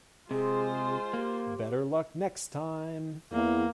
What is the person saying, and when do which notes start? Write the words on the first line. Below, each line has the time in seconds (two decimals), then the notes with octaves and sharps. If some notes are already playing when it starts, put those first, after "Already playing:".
Better luck next time!.
0.31 C3 G#3 F4 G#4 C5
1.13 A#3 G4
3.32 E2 A#3